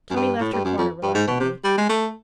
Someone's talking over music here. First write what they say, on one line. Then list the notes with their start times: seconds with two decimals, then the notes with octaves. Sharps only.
Tony left her corner reluctantly.
0.10 F#2
0.16 G2
0.40 A2
0.53 G2
0.65 F#2
0.78 F2
1.03 G2
1.15 G#2
1.27 B2
1.40 C3
1.64 G3
1.78 G#3
1.89 A3